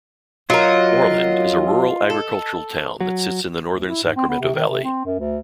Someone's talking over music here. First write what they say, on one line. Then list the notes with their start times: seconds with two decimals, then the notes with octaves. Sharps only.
Orland is a rural agricultural town that sits in the northern Sacramento Valley.
0.50 F#3 F4 A#4 D#5
2.10 A4
3.00 F#3
3.75 D2
3.87 E4
4.03 G#2
4.16 C4
4.29 B3
4.41 C3
4.55 D#3
4.68 C3
4.84 C4
5.05 F#2
5.19 D2